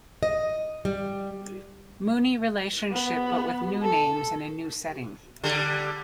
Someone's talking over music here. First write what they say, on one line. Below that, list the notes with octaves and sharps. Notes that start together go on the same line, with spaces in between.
Mooney relationship, but with new names and a new setting.
D#5
G3
B3
A4
D3 G3